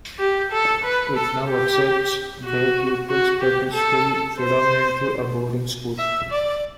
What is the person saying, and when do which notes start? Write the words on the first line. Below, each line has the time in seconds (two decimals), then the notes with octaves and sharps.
It now accepts day pupils but is still predominantly a boarding school.
0.19 G4
0.52 A4
0.84 B4
1.16 A4
1.49 G4
2.45 F#4
3.10 F#4
3.41 G4
3.73 A4
4.38 C5
5.98 E5
6.31 D5